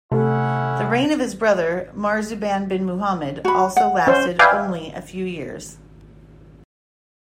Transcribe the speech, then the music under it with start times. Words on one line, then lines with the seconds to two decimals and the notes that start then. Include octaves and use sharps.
The reign of his brother, Marzuban bin Muhammad, also lasted only a few years.
0.12 C3 A3 C#4 E4 F#5
3.45 F#4 B5
3.77 F#5
4.07 C#4 C5
4.39 B4 D5 E5 F5 G5 G#5